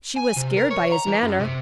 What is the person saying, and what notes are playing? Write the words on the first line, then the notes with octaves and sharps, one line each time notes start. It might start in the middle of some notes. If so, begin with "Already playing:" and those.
She was scared by his manner.
G#5
C3
A#4
C#5
A#5
E3
F#2
C3